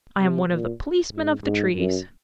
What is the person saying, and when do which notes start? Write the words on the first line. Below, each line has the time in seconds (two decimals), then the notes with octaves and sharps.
I am one of the policemen of the trees.
0.18 C3
0.50 A#2
1.12 G#2
1.44 G#2
1.76 F#2